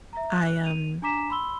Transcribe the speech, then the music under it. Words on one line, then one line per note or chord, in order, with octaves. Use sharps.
I, um
E5 A#5
F#6
D#7 F7
D4 G#5 A#5 D6 B6 E7
B5 C6 E6 G7